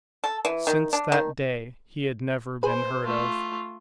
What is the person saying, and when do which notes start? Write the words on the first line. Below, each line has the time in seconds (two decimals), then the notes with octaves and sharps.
Since that day he had never been heard of.
0.24 A4
0.45 E3
0.67 D#3
0.93 D4
1.12 D#3
2.63 G#4 B4 C5
3.04 A3 F4